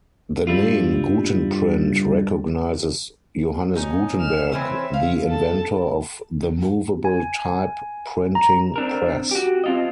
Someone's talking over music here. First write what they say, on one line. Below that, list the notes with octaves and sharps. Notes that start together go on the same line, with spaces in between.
The name Gutenprint recognizes Johannes Gutenberg, the inventor of the movable type printing press.
G2 G3 E4 F4
C#4 D#4
F6 E7
E3 C4 C#4 E5
F5
A4 A5
G#5
A#5
C4 D4 A#4
F#4 G4
C4 F4 D#5